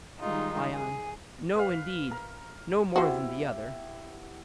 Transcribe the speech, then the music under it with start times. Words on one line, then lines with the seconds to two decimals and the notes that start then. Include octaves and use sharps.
ION: No indeed; no more than the other.
0.20 D#3 G3 G#3 D#4 F4
0.73 G#4
1.55 B4 F5
2.11 A#4
2.96 B3 E4 F#4 G4 C5